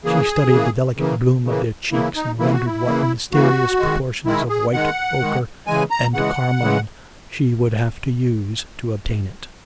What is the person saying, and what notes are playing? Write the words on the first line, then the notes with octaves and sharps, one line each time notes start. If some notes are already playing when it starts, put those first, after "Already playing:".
She studied the delicate bloom of their cheeks, and wondered what mysterious proportions of white, ochre, and carmine she would have to use to obtain it.
C#3 E3 A#3 G#4
C#3 E3 A#3
C#3 E3 A#3
C#3 E3 A#3
C#3 E3 A#3 E4
D#4
C#3 E3 A#3 E4
F#4
E4
C#3 E3 A#3
C#3 E3 A#3 F#4
D#3 G#3
D#3 G#3 E4
G#4
D#3 G#3 F#5
D#3 G#3
C#3 E3 G#3 G#5
A#5
C#3 E3 G#3 F#5
C#3 E3 G#3